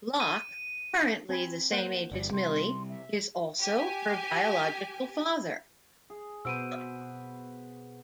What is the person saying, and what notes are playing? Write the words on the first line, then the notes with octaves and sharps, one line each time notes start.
Locke, currently the same age as Millie, is also her biological father.
D#7
C4 G#5 B5
A#3 C5 F#5
G1 G2 D5
C3 G3 C6
E5
G4 G#5
G#4
B2 B4 C5 F#5 C#6 E6 D7 D#7